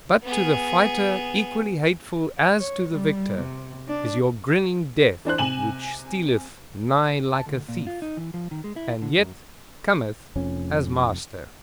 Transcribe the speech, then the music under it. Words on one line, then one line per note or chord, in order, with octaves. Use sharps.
But to the fighter equally hateful as to the victor, is your grinning death which stealeth nigh like a thief,--and yet cometh as master.
B3 G#4
C#5
G3
C3
D4
E3 D4 C5 F#6
C3 G#5 E7 F#7
A5
D2
A#2
F4
D#4
E3
F3
D#3
G#3
E4
D3
F#2
F1 F2 C#4